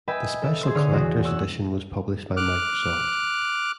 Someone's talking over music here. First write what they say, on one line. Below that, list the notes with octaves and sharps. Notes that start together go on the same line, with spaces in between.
The special collectors' edition was published by Microsoft.
B4 D#5 E5 G5 G#5
A4 E5
G#4 C5
D3 C#5 D#6 F6 C7
E2 C3 F#4
C#5 E6 F#6
D6 F6 F#6